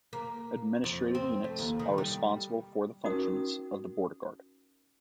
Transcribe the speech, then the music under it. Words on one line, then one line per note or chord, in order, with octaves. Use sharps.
Administrative units are responsible for the functions of the Border Guard.
A#3
F2
C4
A3
D#2
D#3
G3
C#4 D#4 F#4 A#4 D#6